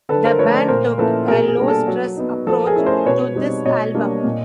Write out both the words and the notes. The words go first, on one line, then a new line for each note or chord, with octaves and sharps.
The band took a low-stress approach to this album.
D3 A4 B4
A#4 C5
F3 A3 B4 C#5
C5 D5
A#2 A#4 C5
F3 A#3 C#4 E4 A4 B4
B2 G#4 A#4
G#4
G3 A#3 D4
A4
F#3
B3 D#4
F3 A4
G#4 A#4
A3 C#4 E4
A#4 C5
B2 B4 C#5
G3 C4 D#4
B2 C#5 D#5
G3 A#3 D4
A#2